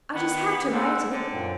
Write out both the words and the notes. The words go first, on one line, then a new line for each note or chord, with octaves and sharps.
I just had to write it.
D#3 B3 F#6
G#2 F#5 E6
D3 C4
F#2 A#2 C4